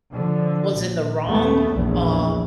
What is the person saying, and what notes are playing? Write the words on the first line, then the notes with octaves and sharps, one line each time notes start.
was in the wrong, um,
D3 F3
A#1
D#2 A3 B3
A#1 E2